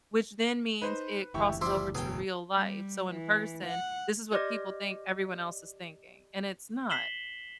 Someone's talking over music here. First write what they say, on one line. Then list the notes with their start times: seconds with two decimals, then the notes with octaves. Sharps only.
which then means it crosses over to real life. So in person, this is what people think everyone else is thinking, and it's not,
0.81 D#4 B4 C5
1.34 F#1 D2 E3 E4 G4 C#6
1.61 F3 G3 E4 C6 D6
1.95 E1 B2 G#4 G5
2.55 G3
3.12 E3
3.66 F#5
4.32 G4 D5 D#5 D6 F6 A#6
6.90 B6 C7 E7 F#7 G7